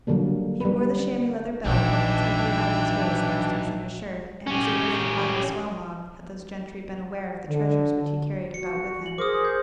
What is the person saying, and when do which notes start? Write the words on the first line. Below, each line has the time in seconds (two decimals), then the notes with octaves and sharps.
He wore the chamois-leather belt buckled tightly round his waist next to his inner shirt, and was able to defy the swell-mob, had those gentry been aware of the treasures which he carried about with him.
0.07 D3 F#3 G3 A#3
0.61 G3 B4
1.65 A#1 E3 F#3 D4 D#4 E5 G5
4.47 C#4 G4
7.49 D3
8.54 F#4 C#7
9.06 F#7
9.18 G#4 A#4 C5 D6 D#6
9.45 G6